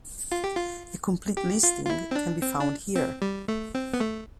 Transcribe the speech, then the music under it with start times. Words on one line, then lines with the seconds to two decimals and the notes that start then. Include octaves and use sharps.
A complete listing can be found here.
0.32 F4
0.44 G4
0.56 F4
1.37 G4
1.63 F4
1.85 F4
1.90 E4
2.11 C4
2.15 D4
2.42 C4
2.60 D4
2.95 C4
3.22 G3
3.48 A3
3.75 C4
3.94 B3
4.00 A3